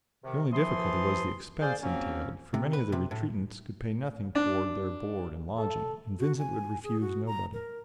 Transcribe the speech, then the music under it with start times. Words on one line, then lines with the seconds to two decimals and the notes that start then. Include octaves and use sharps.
The only difficulty was the expense entailed, for many of the retreatants could pay nothing toward their board and lodging, and Vincent would refuse nobody.
0.24 C3 D#3
0.52 E3 F3 C6 D#6
1.61 G#4 C5 D5 F5
1.82 F3 F#3 A#3 C4 C#4
2.54 C3
2.73 B4
2.92 C3
3.11 A2
4.35 D4
5.58 A4
6.19 F#4
6.39 G#5
6.84 G#4
7.01 F#4
7.26 A#5
7.53 A#4